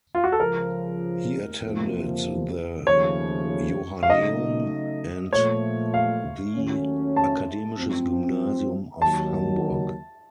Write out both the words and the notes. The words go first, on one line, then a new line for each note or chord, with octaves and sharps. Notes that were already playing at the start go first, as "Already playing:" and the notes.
He attended the Johanneum and the Akademisches Gymnasium of Hamburg.
F4
F#4
A4
C#2 C#3 F3 A#4
F2 C3 F3 A#3
D#2 C#3 F3 A3 C#5
F5
C#3 F#3 A3 D#4 D#5
A#2 F3 A3 C#5
F5
D#2 D#3 F#3 A3 C#4
A5
F#2 F3 C4
D#2 D#3 F#3 A5